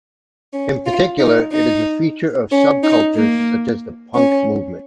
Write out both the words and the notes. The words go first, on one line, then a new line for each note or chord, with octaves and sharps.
In particular, it is a feature of subcultures such as the punk movement.
C#4
F4
D#4
D#4
C#4
D#4
A#3
C#4